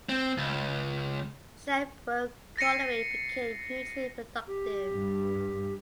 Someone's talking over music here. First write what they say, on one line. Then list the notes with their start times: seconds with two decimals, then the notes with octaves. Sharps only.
Shirebrook Colliery became hugely productive.
0.09 C4
0.38 C#2
2.57 A6 A#6 C7 C#7 D#7
4.47 G4
4.89 G2